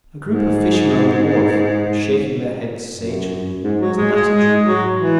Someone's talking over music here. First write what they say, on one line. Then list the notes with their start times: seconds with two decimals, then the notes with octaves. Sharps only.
A group of fishermen on the wharf were shaking their heads sagely as Natty drew near.
0.24 G#2
2.96 F#2
3.63 G#2
3.80 F#3
3.97 G#3
4.13 G#3
4.31 G#3
4.64 F#3
4.98 E3